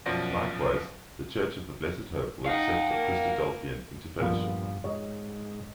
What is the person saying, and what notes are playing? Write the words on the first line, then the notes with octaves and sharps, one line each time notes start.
Likewise, the Church of the Blessed Hope will accept a Christadelphian into fellowship.
F#2 B2 F3 D5 F#5 A#6
D#4 F5 F#5
A#3
G2 A#2 F3 B3
G#2 C#5 D#5